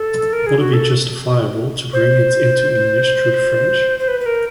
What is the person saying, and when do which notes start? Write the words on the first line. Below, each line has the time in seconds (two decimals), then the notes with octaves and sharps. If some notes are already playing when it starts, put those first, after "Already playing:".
Would it be justifiable to bring it into English through the French?
Already playing: A4
0.33 A#4
0.46 G#4
0.59 F#4
0.73 A4
1.93 C5
3.99 C5
4.08 B4
4.20 B4
4.26 A#4